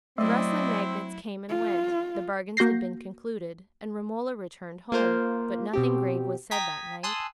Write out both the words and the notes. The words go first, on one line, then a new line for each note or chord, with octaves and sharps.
The rustling magnates came and went, the bargains had been concluded, and Romola returned home; but nothing grave was said that night.
F#3 A3 C4 E4 D5 D#5
F4
A#3 F#4 G6 A#6 C7
A#3 F4 A#4 C5
B2 C4 G4
G5 A#5 D#6 G#6 B6
G#5 A5 C6 D#6 E6 F#6